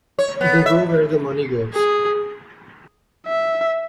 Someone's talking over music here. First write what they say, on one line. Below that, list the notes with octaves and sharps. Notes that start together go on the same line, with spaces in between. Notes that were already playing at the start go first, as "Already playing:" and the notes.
They go where the money goes.
C#5
B3
E5
G#4
E5